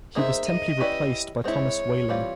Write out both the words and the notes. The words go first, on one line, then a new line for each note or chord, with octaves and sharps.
He was temporarily replaced by Thomas Walling.
A#3 D#4 G#4 C5 E5
D#5
C#4 E4 G4 B4 D5
G#3 C4 E4 C#5
E3 G3 C4 F4